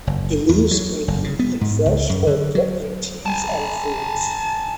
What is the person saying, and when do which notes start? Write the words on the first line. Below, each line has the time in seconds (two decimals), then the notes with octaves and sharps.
The leaves can be eaten fresh or put in teas and foods.
0.07 F#1
0.49 E2
0.71 F#3
1.08 F#1
1.24 C#3
1.39 B3
1.61 G#2
1.86 C#2
2.10 F#2
2.27 D3
2.55 F#3
3.26 G#5 A5